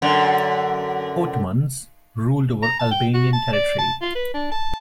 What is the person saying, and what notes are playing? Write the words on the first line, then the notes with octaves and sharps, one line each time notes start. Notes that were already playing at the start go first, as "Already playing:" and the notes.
Ottomans ruled over Albanian territory.
F#2 D3
A#5
A5
G5
F#4
A5
D5
A5
F4
B4
D4
A5